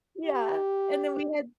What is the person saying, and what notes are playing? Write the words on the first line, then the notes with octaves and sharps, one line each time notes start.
Yeah. And then we had
G4